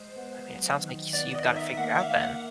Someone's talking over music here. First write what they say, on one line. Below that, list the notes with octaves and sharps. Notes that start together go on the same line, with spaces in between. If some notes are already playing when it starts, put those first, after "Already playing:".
I mean, it sounds like you see you've gotta figure out then.
Already playing: G#3 C5
B3
F#3
D#3
B3 D5
D#5
D#3
E5
A#3 F#5
E5
F5
A#3
F#5